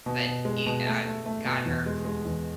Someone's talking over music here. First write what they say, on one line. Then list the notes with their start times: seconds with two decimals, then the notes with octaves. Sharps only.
But e I got her
0.06 B2
0.25 B2
0.45 G#3
0.66 B2
0.86 A3
1.05 A3
1.26 A3
1.45 B2
1.66 E2
1.86 G#3
2.05 G#3
2.25 E2